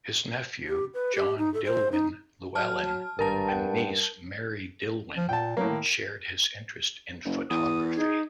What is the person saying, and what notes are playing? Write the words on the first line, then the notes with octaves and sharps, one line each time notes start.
His nephew John Dillwyn Llewelyn and niece Mary Dillwyn shared his interest in photography.
G4
B4
G4
D#4
A4
C5
D#4
F#3 A5 F6
G#1 G2 A#4 A5 A#5
F#5 G5
F3
A#2 G5 A5
A2 F#3 A#3
D#3
F#1
E2 D#6
D#4 G#4